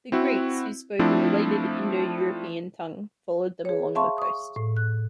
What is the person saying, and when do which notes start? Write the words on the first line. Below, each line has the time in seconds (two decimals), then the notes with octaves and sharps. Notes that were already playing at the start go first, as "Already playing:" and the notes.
The Greeks, who spoke a related Indo-European tongue, followed them along the coast.
0.12 C4 E4 F#4
0.99 F3 A3 C4 D4 E4
3.65 G#4 C#5
3.95 E5 F5 A5 C6 C#6
4.18 C#6 D#6
4.56 A2
4.77 F#6